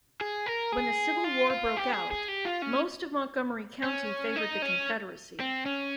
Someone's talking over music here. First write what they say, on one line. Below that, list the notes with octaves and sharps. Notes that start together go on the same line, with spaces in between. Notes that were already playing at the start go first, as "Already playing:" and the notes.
When the Civil War broke out, most of Montgomery County favored the Confederacy.
G#4
A#4
G#4
F4
F4
G4
G#4
G#4
G4
F4
C#4
C#4
D#4
C#4
C4
C#4